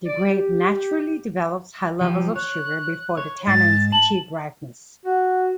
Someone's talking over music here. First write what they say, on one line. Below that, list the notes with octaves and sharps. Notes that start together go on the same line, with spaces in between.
The grape naturally develops high levels of sugar before the tannins achieve ripeness.
D5
G4
F3 G4
C#5 F#6
C#5
G#2 A6
A5 F#7
F#4